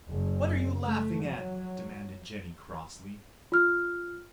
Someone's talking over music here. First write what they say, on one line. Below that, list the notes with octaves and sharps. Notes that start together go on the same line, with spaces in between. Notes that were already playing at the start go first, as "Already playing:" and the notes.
"What are you laughing at?" demanded Jenny crossly.
F#1
A3
F#3
F4 F6